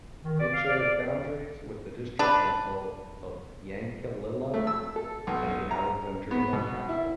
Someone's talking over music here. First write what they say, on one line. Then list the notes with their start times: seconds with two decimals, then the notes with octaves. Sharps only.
It shares boundaries with the District Council of Yankalilla and the Alexandrina Council.
0.25 D#3
0.39 D5
0.53 F5
0.69 D5
2.19 D4 B4
4.54 A3
4.67 E6
4.96 A4
5.27 B1
5.71 A#5
6.31 B3
6.53 B2
6.89 E4